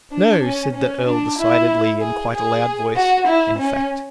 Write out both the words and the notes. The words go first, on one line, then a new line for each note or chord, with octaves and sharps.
"NO!" said the Earl decidedly--in quite a loud voice, in fact.
D4
C#4
C#4
D4
E4
G#4
G#4
F#4
E4
C#4